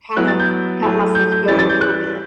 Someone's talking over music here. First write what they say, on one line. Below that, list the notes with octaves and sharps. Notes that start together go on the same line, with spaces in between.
kind of got myself going a little bit,
F#3 B3 E4 F#6
A6
G6
F#3 A3 E4
G6
G6
E3 G3 C#4 E4 A6
A6
G6
F#6